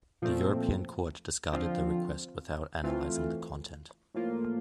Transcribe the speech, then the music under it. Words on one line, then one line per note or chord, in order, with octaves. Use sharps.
The European court discarded the request without analysing the content.
A#2 F3 A3 C4
D3 F3 C4 F4
E3 A3 C4 F4
A2 F3 A#3 F4